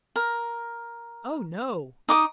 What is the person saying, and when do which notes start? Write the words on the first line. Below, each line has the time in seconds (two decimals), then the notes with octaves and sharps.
Oh no!
0.16 A#4
2.09 D#4 D6 D#6